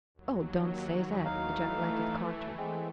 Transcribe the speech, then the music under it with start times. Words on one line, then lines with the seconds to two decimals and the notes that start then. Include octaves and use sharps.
"Oh, don't say that!" ejaculated Carter.
0.14 D#2 F#3
1.25 E3 A3 D#4 F5
2.58 G#3 C4